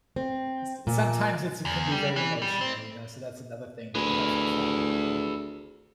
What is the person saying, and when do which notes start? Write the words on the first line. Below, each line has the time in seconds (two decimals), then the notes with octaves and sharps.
S sometimes it's can be very emotional, you know, so that's another thing that you have to factor in.
0.16 C4
0.87 A#2
1.65 E2
1.92 G3
2.16 E3
2.42 G3
2.61 C4
3.95 D2 G#4 B4